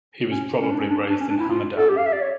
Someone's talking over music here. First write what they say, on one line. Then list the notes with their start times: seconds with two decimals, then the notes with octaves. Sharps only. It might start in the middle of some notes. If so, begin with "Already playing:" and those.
He was probably raised in Hamadan.
0.31 C#4
0.61 C#4
0.71 D4
0.80 C#4
0.90 D4
1.10 D4
1.20 C#4
1.29 D4
1.40 E4
1.49 F4
1.77 A4
1.89 G4
1.97 F5
2.06 E5
2.13 D5
2.21 C#5